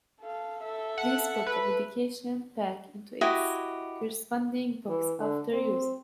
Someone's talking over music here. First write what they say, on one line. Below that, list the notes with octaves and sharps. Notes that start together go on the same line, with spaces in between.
Please put the medication back into its corresponding box after use.
A4 F5
A4 E5
F#5
B4
E4 F#4 G4 D#5
E3
D3
C4